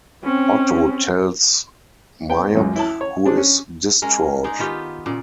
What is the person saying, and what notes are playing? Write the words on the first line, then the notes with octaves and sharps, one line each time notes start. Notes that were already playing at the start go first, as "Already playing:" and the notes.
Otto tells Miep, who is distraught.
C4 C#4
B3 G5
G#1 C#2 F#2
E4 A5
C#5
C4 D4 G#4
C#4
G#3 C#4 A#4
G#3 D#4 D5
D#3 B3 F4 G4
A#2 C#3 D5